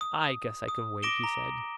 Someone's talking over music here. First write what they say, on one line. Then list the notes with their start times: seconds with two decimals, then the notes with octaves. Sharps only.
"I guess I can wait," he said.
0.01 D#6
0.68 D#6
1.03 D6 A#6 D7 E7 G7
1.24 A#5